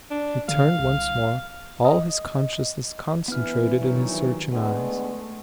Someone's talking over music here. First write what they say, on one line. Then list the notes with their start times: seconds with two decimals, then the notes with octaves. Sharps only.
He turned once more, all his consciousness concentrated in his searching eyes.
0.11 D4
0.48 D3 F5
0.79 C2
1.85 D#5
3.28 G2 E3 B3 F6
3.81 D#3 F#3
4.52 D3 G#3 A3 B3